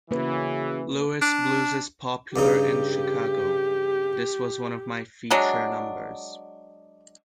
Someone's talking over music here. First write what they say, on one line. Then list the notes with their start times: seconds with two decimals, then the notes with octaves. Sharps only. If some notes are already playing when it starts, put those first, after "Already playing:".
Louis Blues' popular in Chicago; this was one of my feature numbers.
0.11 C#3 E3 A#3 F#4 B4
1.22 D4
2.36 G2 C#3 D#4 G4
5.31 F#3 G#3 D4